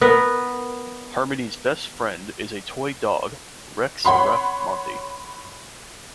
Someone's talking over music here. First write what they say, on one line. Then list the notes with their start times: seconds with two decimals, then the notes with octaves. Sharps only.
Harmony's best friend is a toy dog, Rex Ruff Monty.
0.01 B3 A#4 B4
4.05 C#5 F#5 B5 C6